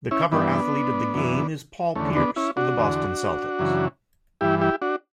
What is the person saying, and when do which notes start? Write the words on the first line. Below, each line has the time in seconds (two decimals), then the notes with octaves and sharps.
The cover athlete of the game is Paul Pierce of the Boston Celtics.
0.11 C#4 E4
0.32 G2 E3 B3 D4
1.14 F#2 E3
1.95 E2 D3 A3 C#4
2.16 B3 D4
2.36 C#4 E4
2.57 D4 F#4
2.78 E2 D3
3.59 F#2 C#3 E3
4.41 G2 E3 E4 G4
4.61 E4 G4
4.82 D4 F#4